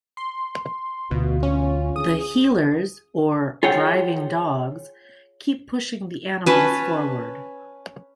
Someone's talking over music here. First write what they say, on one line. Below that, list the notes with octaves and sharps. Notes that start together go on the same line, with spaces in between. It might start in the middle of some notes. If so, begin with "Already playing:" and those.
The "heelers" or driving dogs keep pushing the animals forward.
C6
D2 B2 F4
C#4
G#4 D#6
F4 G#4 C#5 F#5 G5
C#4 B4 A5